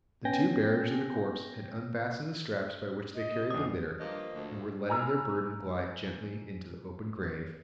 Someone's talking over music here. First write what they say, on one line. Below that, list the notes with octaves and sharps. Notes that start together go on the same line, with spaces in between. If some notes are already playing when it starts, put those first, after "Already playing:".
The two bearers of the corpse had unfastened the straps by which they carried the litter, and were letting their burden glide gently into the open grave.
B3 C#4 G5 G#5 G6 A#6
D#5
E2 D4 D#6
G2 F3 A#3 D#5
D2
G#5 A#5 B5 E6 F6